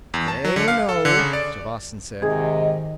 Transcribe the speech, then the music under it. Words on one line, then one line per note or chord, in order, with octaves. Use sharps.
"They know," Javasan said.
E2
A5
F#3
D3
F5
A4
D3
C#3
D5
G#2 C3 D#3 G#4 D#5